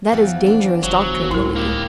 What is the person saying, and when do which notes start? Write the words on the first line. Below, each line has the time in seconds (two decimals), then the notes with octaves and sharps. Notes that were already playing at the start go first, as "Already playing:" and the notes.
"That is dangerous doctrine, Louis."
0.12 E2 E3 F3
0.46 D4
0.83 G1 F#3
1.31 C#2 A2 E4 A#4
1.56 A#3 G4